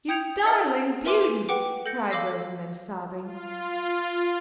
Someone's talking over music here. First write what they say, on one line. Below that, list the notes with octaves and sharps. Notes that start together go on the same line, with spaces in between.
"You darling beauty!" cried Rosamond, sobbing.
G5 D#6 G6 G#6 C#7 F7
D#5 E5 F#5 D#6 F6
A#4 B4 E5 G#5 C6 D6
B4 F#5 G5 D6
A4 G6 A#6 C#7
A4 F5 D6 E6 A#6 C7
F4